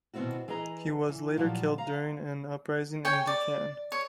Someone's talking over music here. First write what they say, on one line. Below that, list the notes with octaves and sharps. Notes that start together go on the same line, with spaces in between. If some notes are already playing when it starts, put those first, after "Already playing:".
He was later killed during an uprising in Deccan.
B2 D#3 B3 C4 E4 F#4
E3 G#4 B4 D#5 A#5
E3
A#2 F3 F#3 F4 G4
F5 A#5
C#5 G5 G#5
D5
C#5